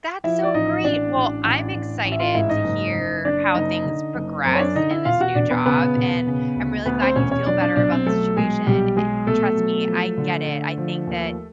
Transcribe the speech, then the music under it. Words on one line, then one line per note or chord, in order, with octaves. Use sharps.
That's so great. Well, I'm excited to hear how things progress in this new job, and I'm really glad you feel better about the situation, i it trust me, I get it. I think that
F3 E4 E5
D5
A1 D#4 D#5
A1 D4 D5
A1
A1
A1
A1
E5
F4 F5
G#2 E4 E5
D#4 D#5
F#1
F#1
F#1 D4 D5
F#1 D#4 D#5
D3
F#1
F#2 C4 C5
C#5
D4 D5
D3 D#4 D#5
E4 E5
E1 F4 F5
F#4 F#5
E1 D4 D5
B3 B4
C#3 B3 B4
E1
C#3
D2
D2 B3 B4
C4 C5
E1 C#4 C#5
C#4 C#5
F#3 D4 D5
D4 D5
B1 D4 D5
C4 C5
F#3 A3 A4
B2 G#3 G#4
B1 G3 G4
F#3 G#3 G#4
B2 A3 A4
F#3
F3
D3
D3
F3
D#2